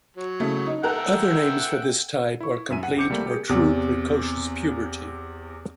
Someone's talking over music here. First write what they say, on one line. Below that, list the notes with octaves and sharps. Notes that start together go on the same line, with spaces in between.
Other names for this type are "complete" or "true precocious" puberty.
F#3
C#3 A3 E4
D#4
A4 A#4 E5 F#5 G5 F#6
E4 C#6
F#2 E5 G#5 D#7
F#5
C2 C4 D6 G6 C#7
C3 G3 A3 A#3
G4 G#4
E2 C3